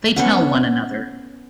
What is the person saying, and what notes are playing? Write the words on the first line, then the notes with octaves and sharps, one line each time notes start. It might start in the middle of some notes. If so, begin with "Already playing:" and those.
They tell one another.
B3 C#4 F#5